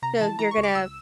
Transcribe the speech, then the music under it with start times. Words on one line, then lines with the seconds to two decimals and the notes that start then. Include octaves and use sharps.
so you're gonna
0.02 C3 A#5
0.21 E3 A5
0.39 E3 A#5
0.51 C#6
0.57 C#2
0.63 D6
0.75 C#2 E6